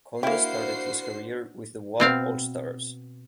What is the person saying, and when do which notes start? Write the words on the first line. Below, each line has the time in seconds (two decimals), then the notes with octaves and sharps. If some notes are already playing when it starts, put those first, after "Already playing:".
Konda started his career with the Wa All Stars.
0.23 A#3 D4 E4 F#4 C5 F5 G5 C7
2.00 B2 C4 F5